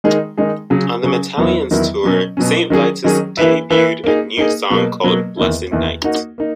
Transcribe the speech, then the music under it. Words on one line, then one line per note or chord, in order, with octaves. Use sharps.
On the Metalliance Tour, Saint Vitus debuted a new song called "Blessed Night".
D#3 G#3 D#4 G#4
D#3 G#3 D#4 G#4
C#3 F#3 C#4 G#4
C#3 F#3 C#4 G#4
E2 D#3 F#3 B3 E4
E2 D#3 F#3 B3 E4
B2 F#3 C#4
B2 F#3 C#4
D#3 F#3 C#4 G#4
D#3 F#3 C#4 G#4
E3 A#3 E4 B4 E5
E3 A#3 E4 B4 E5
A#3 D#4 G#4
A#3 D#4 G#4
B2 F#3 A#3
B2 F#3 A#3
E2 D#3 A#3 E4
E2 D#3 A#3 E4
A#3 D#4 F#4
A#3 D#4